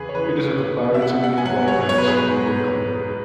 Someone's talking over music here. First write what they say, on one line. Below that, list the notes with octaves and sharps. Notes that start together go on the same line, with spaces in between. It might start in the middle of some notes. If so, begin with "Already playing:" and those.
It is a comparatively widely distributed community.
Already playing: E2 C#3 G#4 B4
C#5
E3 B4
C#3
B2
E5
F#5
B2
F#5
G#5
F#3 F#5
C#5
B2
C#5
B4
G#2 G#4
B4
G#2
G#2
G#3